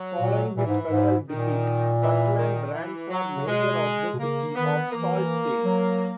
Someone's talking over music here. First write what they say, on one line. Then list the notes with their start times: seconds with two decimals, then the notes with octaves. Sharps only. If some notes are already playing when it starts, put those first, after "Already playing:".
Following his federal defeat, Butland ran for mayor of the city of Sault Ste.
Already playing: F#3
0.20 A#2
0.56 A#2 E3
0.67 G#2
0.89 G#2
1.29 A#2 D#3
2.02 E3
2.37 D#3
2.74 E3
3.10 F#3
3.35 C#3
3.46 B2 G#3
4.14 B2
4.19 C#3 A#3
4.55 D#3 B3
4.91 E3 A#3
5.64 F#3